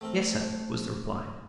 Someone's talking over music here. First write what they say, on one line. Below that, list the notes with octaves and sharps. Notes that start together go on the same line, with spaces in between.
"Yes, sir," was the reply.
A3 C4 A4 A#4